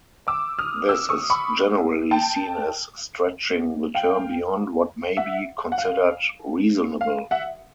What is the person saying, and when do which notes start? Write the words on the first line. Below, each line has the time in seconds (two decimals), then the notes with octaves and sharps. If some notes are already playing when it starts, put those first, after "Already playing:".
This is generally seen as stretching the term beyond what may be considered reasonable.
0.28 D6 E6
0.59 D#6 F6
0.89 D6 E6
1.09 C#6 D#6
1.30 B5 C#6
2.11 G5 A5
3.95 F5 G5
5.17 E5 F#5
5.72 F#5
5.78 F5
7.01 F5
7.31 E5 F#5